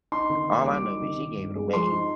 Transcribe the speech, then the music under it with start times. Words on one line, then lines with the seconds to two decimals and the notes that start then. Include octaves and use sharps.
All I know is, she gave it away,
0.12 D#4 C6
0.30 D#3
0.48 A#3
0.65 G3 D6
0.84 D#4
1.02 D#3
1.20 D#4
1.37 G2
1.55 G#3
1.73 F3 C6
1.92 D#4